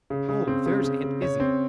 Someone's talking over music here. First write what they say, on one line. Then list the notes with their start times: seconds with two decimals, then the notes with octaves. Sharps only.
Oh, there's Aunt Izzie!
0.10 C#3
0.29 C#3
0.48 C4
0.66 C#3
0.84 C#3
1.03 C#3
1.22 C#5
1.40 C4